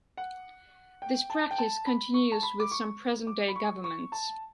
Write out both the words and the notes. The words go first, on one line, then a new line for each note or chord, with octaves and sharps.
This practice continues with some present day governments.
F#5
G5
A5
G5
A5
B5
C#6
A5
B5
D6
C#6
D6
B5
C#6
C#6
A5